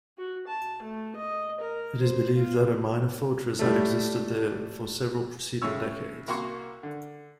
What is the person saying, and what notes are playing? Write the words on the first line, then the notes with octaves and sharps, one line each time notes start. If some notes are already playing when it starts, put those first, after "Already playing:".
It is believed that a minor fortress had existed there for several preceding decades.
F#4
A5
A3
D#5
A#4
C5
F4
A2 G3 A3
A2 C#3 G#3 C#4 C#5 E6
C2 A#3 F#4 C6 C#6
D3